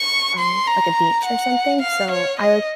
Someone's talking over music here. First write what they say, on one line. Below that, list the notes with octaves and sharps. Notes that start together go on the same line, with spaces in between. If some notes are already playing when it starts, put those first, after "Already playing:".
have um, like, a beach or something, so I like
Already playing: C#6
C6
A#5
F#5
F5
C#5
D#5